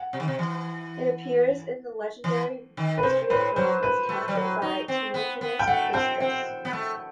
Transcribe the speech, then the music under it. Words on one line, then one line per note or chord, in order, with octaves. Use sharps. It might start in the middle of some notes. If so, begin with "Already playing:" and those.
It appears in the legendary history of Rome as captured by Tarquinius Priscus.
Already playing: F#5
C3
D#3
C3
E3
E3
D#3
B4
C3 C5
A2 B4
F#3 C5
B4
A3
G3
F#3
D#4
C4
B3
B3
G5
A3 F#5
C4 G5
C4
B3
A3